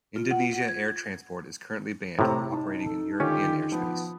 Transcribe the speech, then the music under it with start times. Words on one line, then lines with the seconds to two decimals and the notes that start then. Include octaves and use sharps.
Indonesia Air Transport is currently banned from operating in European airspace.
0.16 F4
0.31 F#5
0.53 F#5
0.68 G#6
0.88 G#6
2.19 A2 C3 E4 A#5
2.52 D#4 A5
2.86 A4
3.20 D3 D#3 C#4 F4 G4
3.72 F3 B3